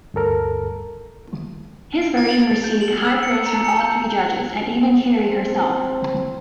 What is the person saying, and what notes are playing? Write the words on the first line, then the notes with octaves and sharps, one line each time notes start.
His version received high praise from all three judges, and even Carey herself.
D2 G2 A4 A#4
D7
A6
A6
A6
G6
F#7
E6
C#7
A#5
C#7
G6
C4